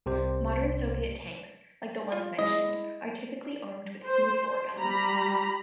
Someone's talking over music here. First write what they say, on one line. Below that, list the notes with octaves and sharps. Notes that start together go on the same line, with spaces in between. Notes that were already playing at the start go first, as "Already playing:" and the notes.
Modern Soviet tanks, like the ones mentioned, are typically armed with smooth bore guns.
C2 C3 G4 C5
F4
G#3 E4 D#5
C5
G3 A#5 B5